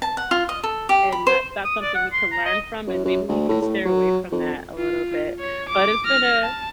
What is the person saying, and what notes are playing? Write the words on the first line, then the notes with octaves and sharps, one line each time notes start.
and not that's something we can learn from, and maybe we can stay away from that a little bit. But it's been a
A5
F#5
F4
D#5
A4
G4
B5
C5
D#6
D5
F#5
C6
A#5
D#5
F#2
F#2
D2
A2
A2
F#3
F2
F4
C#5
D6
F6 A#6
A5